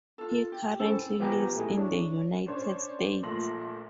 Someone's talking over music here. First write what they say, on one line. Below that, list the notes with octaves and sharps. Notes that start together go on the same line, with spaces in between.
He currently lives in the United States.
F4 A4
G4
C#4 E4 A4 C5
F3 B3 G4 G5 G#5 A#5
A3 E4 G#4
D4 C#5
C#4 D4 C5 C#5
A#1 A#2 A3 C6 A#6 F#7